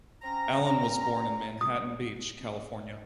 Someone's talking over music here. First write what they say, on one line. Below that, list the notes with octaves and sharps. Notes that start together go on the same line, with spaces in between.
Allen was born in Manhattan Beach, California.
C4 C#4 A#5
D#6